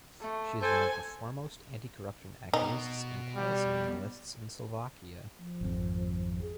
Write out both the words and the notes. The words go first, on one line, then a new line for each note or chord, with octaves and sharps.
She is one of the foremost anticorruption activists and policy analysts in Slovakia.
A3
A4 C5 G#5
B2 D#4
G3
F3
G#1 F2
G#4